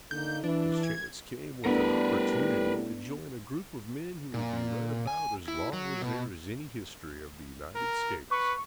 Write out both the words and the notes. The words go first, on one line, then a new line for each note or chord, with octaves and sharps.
His chance came with an opportunity to join a group of men who will be read about as long as there is any history of the United States.
D3 A#3 D#4 G6
E3 D4
G#6
A2 G3 B3 D4 A#4 B4
A#2
G#5
E4
F#3
B2
A#4
B4 C#6